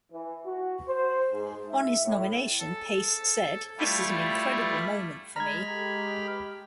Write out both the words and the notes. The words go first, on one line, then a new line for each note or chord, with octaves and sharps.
On his nomination, Pace said, This is an incredible moment for me.
E3
F#4
C5
G#2
E5
A2
A4
G3 A3 E4 F4
G#3 A#5 B5 F6 G#6
G4